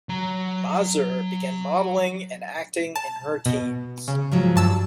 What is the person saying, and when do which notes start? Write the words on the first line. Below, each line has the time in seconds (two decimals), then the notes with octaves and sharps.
Mazur began modeling and acting in her teens.
0.09 F#3 A#5
2.95 A5
3.46 B2
4.08 C#3
4.32 G#2 F3 F#3
4.56 G2 A5 E6